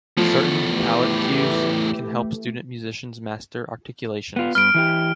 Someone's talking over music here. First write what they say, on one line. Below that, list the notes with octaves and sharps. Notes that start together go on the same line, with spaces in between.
Certain palate cues can help student musicians master articulations.
E2 A2 F3 A3
E3 G4
B3 F4
G2 B3 F6 D7
E3 E4 G4